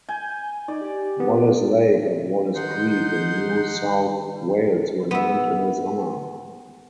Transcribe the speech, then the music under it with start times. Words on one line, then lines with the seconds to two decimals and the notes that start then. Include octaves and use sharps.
Wallis Lake and Wallis Creek in New South Wales were named in his honour.
0.09 G#5 G6
0.68 D#4 D5
0.81 G4
1.20 B3
2.55 D#3 D#4 F#5 C6 G6
5.11 B3 E5